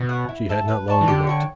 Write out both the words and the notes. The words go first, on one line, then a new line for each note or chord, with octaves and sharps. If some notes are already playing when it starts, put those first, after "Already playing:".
She had not long to wait.
Already playing: B2
C#5 F#5
E4
A4 E5 A5
B4
D5 A5 C#6
E3
D3 G4
C#5 G5 C#6